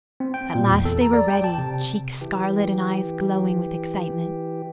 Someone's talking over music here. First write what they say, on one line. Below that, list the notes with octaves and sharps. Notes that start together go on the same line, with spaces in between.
At last they were ready, cheeks scarlet and eyes glowing with excitement.
C4
G5
A#2
E2
A4
A#5
D5
G5
A5
C3
E3 G4